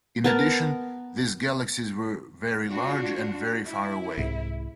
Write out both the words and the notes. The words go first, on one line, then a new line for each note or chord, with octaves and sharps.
In addition, these galaxies were very large and very far away.
B3 A#4 A5
D4 F4 F#4
E4
C2 G#2